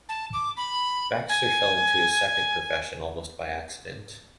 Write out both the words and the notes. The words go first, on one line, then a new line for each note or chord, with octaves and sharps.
Baxter fell into his second profession almost by accident.
A5
D6
B5
G#5